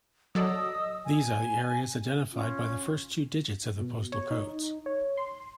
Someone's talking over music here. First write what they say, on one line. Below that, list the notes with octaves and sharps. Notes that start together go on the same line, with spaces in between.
These are the areas identified by the first two digits of the postal codes.
F#3 A4 D5 D#5 D#6 E6
G#5
C#4 F4
B2
C#5
D#4
C#5
C6